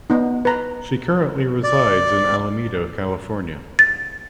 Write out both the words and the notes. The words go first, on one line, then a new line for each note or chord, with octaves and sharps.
She currently resides in Alameda, California.
B3 D#4
B4 A#5
D5
A6